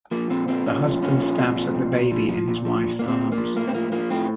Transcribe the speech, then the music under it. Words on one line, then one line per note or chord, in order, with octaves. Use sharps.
The Husband stabs at the baby in his wife's arms.
F3 A#3
A#2 C4
F3 C4
A#2 C#4
F3
A#2 C#4
F3
A#2 C4
F3
A#2
A#2
F3
F3
A#2
F3
A#2
A#2 A#3
C4
A#2
A#3
F3
A2 A#3
C4
F3 A#3
F3 A#3
A2 C4